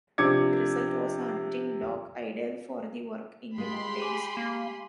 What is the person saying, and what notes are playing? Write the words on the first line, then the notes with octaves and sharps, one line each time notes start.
The result was a hunting dog ideal for the work in the mountains.
C3 F3 D4 D6 G#6 C#7
G#3 F4 G4 G#4 B5 C6
G#5 D6 D#7
A#3